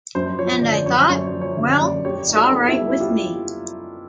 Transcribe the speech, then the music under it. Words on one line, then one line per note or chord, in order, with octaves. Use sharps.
And I thought, 'Well, it's all right with me.
F#2 C5
F3 C#5
D3 D5
F#2 C#5
F#2 C#5
F3
C#5
D3
D5
F#2
G4 C#5
D#4
A4
B3
E4
G3
F4 G4